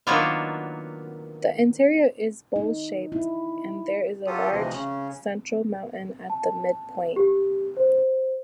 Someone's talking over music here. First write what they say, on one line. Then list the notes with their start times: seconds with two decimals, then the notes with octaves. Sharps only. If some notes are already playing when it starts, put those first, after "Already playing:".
The interior is bowl-shaped, and there is a large central mountain at the midpoint.
0.07 D#3 F#3 A#3 B3 D4 F4
2.56 D#4
3.12 E4
4.27 F#3 F4 G4 A4 D#6
4.51 D2 C3 E3 F3 D#5
4.73 C#3 C#4
6.30 A5
7.16 G4
7.77 C5